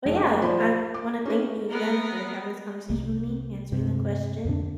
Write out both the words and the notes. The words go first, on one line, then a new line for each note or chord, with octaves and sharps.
but yeah, I wanna thank you again for having this conversation with me, answering the question.
F#1 A3
A#2 F3 C5 D5 B5 C6
D6
C#4 D#4 B4
B3 A#4
C2 A3 A#3
G2 C3
F2 A#2 D3 D4